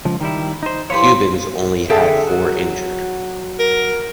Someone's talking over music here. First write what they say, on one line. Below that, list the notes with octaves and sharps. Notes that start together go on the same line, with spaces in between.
Cubans only had four injured.
C#2 F3
D#3 G3 E4
D#4 C5
F3 G4 B4 C#5 C6
D3 G#4 A4 E5 F5 G5
F#3 F#4
A#4